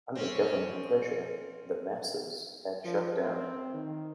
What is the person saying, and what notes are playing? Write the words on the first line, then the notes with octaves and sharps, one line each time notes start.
Under government pressure, "The Masses" had shut down.
C4 C#4
F3
C4
D#3